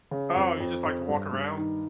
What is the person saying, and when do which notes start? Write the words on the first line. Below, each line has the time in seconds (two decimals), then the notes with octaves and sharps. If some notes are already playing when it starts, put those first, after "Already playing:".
Oh, you just like to walk around?
0.11 C#3
0.35 F2
0.60 F2
0.85 F2
1.08 G2
1.33 G2
1.57 D#3